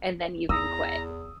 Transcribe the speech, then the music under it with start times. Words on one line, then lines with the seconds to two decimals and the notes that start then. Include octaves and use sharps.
and then you can quit."
0.49 E2 E4 A#5 D#6 E6